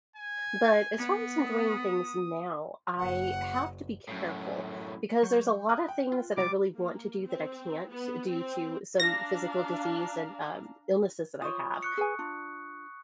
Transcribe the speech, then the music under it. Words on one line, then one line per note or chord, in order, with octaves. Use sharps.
but as far as enjoying things now, I have to be careful because there's a lotta things that I really want to do that I can't due to some physical disease and, um, illnesses that I have.
G#5
B3
D#6
F#1 F#5
F#2 A2
F#3 C#6 G6
D#6 F#6
G5
F4
G3 D6 A6
A#3
C4
B3
C4
D4 F5 A#5 A#6
F4 C5 C#5 C#6 D#6
C#6 F#6 C#7
G#4 B4 G#5
D4 F4